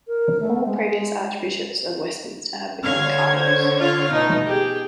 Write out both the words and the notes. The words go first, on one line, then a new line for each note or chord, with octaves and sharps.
All previous Archbishops of Westminster have become Cardinals.
A#4
A3
G#3
D3 C#5 F5 G#6
C5
F4 F5
B2 A3 D#4
G4 G#4 G5